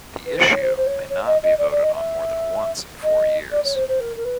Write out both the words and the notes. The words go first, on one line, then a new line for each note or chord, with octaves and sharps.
The issue may not be voted on more than once in four years.
B4
C5
C#5
C5
C5
C#5
C#5
D#5
D#5
D5
D5
D#5
E5
D#5
D5
C#5
C5
C5
A#4
A#4
B4